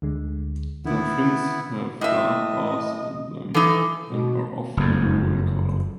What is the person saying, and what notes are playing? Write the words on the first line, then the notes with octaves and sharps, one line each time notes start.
Their fins have dark bars on them and are often blue in colour.
D2 D3 G#3
D3 D#3 B3 E4
A2 D#5 E5
E3 D#4 A4
B2
F#1 F2